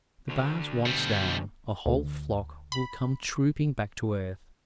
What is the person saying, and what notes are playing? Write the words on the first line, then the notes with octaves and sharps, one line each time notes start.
The bars once down, a whole flock will come trooping back to earth.
D2 D3
B2 G3
D2
B5